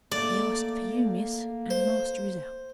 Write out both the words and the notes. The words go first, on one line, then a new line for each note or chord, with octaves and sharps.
'He asked for you, miss; and master is out.'
A3 A#3 D5
C5